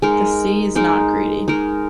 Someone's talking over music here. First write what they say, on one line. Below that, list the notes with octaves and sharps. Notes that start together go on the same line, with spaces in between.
The sea is not greedy.
G#3 D#4 A#4
G#3 D#4 A#4
G#3 D#4 A#4